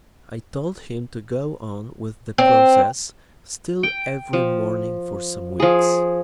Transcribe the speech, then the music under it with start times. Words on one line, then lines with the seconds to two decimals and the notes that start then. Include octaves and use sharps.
I told him to go on with the process still every morning for some weeks.
2.38 C4
3.83 G5
4.33 F3
5.60 F3 G#4